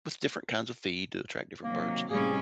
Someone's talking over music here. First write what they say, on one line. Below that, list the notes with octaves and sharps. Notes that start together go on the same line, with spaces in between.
With different kinds of feed to attract different birds
C3 D#3 F#3 A#3
A2 C3 E3 G3 A#3 C#4 G#4